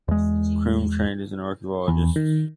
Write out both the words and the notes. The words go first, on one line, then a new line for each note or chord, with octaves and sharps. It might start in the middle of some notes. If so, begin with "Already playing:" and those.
Croome trained as an archaeologist.
E2 G#3
E2
D#3